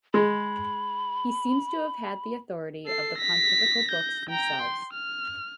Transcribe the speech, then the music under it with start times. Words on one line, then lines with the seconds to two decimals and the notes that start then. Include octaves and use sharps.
He seems to have had the authority of the pontifical books themselves.
0.14 G#3 B5
2.86 A4 C7
3.18 A#6 B6
3.88 G6 A#6
4.30 G5 A#5
4.62 C6
4.94 F6